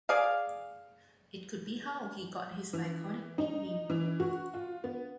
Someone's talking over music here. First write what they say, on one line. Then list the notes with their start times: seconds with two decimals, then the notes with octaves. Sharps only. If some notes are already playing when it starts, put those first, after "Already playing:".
It could be how he got his iconic nickname.
0.09 G#4 D5 F5
2.73 E3
3.38 D#4
3.90 E3
4.20 F#4
4.54 F4
4.84 B3